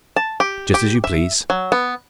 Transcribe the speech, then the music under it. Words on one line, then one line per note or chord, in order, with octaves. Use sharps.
"Just as you please."
A5
G4
G4
E5
F#3
B3